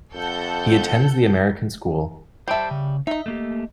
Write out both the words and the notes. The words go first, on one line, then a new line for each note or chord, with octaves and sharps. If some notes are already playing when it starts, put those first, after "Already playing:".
He attends the American School.
F2 A4 F#5 G6
G3 C5 E5 G5 A5
C#3
D#4 D#5 E5
A3 A#3 G4